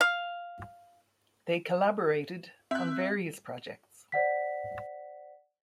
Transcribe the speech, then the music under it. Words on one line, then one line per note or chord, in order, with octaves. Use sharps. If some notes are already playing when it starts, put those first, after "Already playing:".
They collaborated on various projects.
F5
C4 E5 F#6
C5 D5 F#5 B6